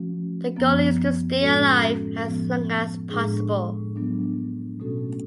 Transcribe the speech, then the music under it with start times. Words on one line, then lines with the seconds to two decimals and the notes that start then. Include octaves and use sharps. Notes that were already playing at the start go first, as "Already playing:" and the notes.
The goal is to stay alive as long as possible.
Already playing: F3 A3 C#4 F#4
0.56 F#2 F3 B3
1.41 A2 G#3 C#4 F#4 A4
2.25 A2 F3 B3
3.10 A2 G#3 D4 G#4
3.96 F#3 B3 D4
4.80 B2 A3 C#4 F#4 A4